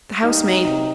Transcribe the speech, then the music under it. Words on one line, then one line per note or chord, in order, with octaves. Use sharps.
The housemaid.
G3 D#4
D#4
C3 D#4